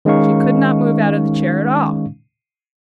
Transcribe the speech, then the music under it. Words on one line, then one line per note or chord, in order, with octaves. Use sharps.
She could not move out of the chair at all.
D#3 G#3 C#4 D#4 F5 C#6